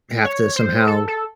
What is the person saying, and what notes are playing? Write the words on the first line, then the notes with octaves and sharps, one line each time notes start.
have to somehow
C#5
C5
A4
A4